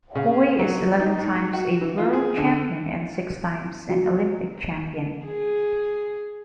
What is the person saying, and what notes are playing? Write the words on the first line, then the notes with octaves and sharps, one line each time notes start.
Hoy is eleven-times a world champion and six-times an Olympic champion.
C#3
F#3
D#4
G#2
F#4
E3
F4
G#4
D3
F#3
G#4